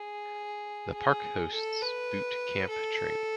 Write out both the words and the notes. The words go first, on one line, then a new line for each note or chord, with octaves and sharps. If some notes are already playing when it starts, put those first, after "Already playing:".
The park hosts boot camp training.
Already playing: G#4
G#4
A4
B4
A4